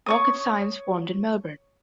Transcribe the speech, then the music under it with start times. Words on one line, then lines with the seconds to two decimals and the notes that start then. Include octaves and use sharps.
Rocket Science formed in Melbourne.
0.06 C#5 C#6 D#6